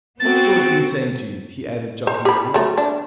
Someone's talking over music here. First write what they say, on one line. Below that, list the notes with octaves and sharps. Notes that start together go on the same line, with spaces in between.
What's George been saying to you?' he added jocularly.
B3 C4 F#4 A6
C5
G4 B5
F#3 A3
D4